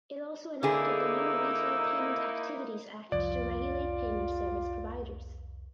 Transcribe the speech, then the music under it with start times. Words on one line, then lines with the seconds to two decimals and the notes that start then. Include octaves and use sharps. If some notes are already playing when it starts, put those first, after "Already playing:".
It also enacted the new "Retail Payment Activities Act" to regulate payment service providers.
0.63 D3 A#3 D#4 E4 G#4 E6
3.12 C2 F2 F4 D5